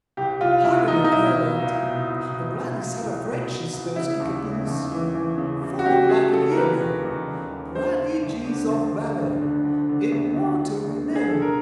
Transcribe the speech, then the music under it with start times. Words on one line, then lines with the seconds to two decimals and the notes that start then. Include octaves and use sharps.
Horrid affair that!--a bloody set of wretches, those Kickapoos!--fought like a hero--prodigies of valor--immortal renown.
0.17 C2 G4
0.40 C2 F4
0.64 C2 E4
0.88 C2 D#4
1.04 D#4
1.12 B2 E4
1.35 B2
1.59 C2
1.83 B2
2.06 C2
2.30 B2
2.54 B2
2.78 B2
3.01 C2
3.26 B2
3.49 C2
3.73 C2
3.96 C#3 E4
4.20 D#2
4.44 C#3
4.67 D#2
4.92 E3
5.15 E3
5.38 C#3
5.63 C#3
5.79 F#4
5.86 C#3 G4
6.09 C#3 G#4
6.33 C#3 A4
6.51 A#4
6.57 E3 B4
6.80 D#2
7.04 D#2
7.28 D#2
7.52 D#2
7.75 D3 C5
8.00 D3
8.23 D2
8.47 D3
8.71 D2
8.94 D3
9.18 D2
9.42 D3
9.65 D3
9.89 D3
10.12 D2
10.36 D3
10.60 D3
10.84 D2
11.07 D3
11.15 G#4
11.28 D3 A4
11.42 A#4